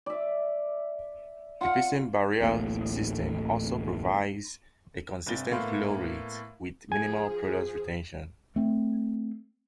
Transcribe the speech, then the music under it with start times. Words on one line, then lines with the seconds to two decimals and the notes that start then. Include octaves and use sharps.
The piston barrier system also provides a consistent flow rate with minimal product retention.
0.06 D5 E5
1.61 F4 F#5
2.41 D1 A1 A2 A#3
5.26 G1 C3 A6 G7
5.51 A2 A#3 B3 F5 C6
6.92 F3 G#4 G#5
8.56 A3 C4